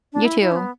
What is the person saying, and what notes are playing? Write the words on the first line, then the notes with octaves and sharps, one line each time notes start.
You too.
D4
E4
E4
C#4
B3